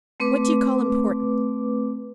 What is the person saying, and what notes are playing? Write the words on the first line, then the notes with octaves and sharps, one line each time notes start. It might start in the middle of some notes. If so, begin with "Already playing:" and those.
"What do you call important?"
A3 C4 B4 D6